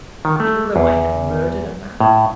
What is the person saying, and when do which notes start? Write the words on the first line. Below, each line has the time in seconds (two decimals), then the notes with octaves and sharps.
Even though I had murdered a man?
0.25 D#3
0.40 A3
0.76 E2
2.00 A2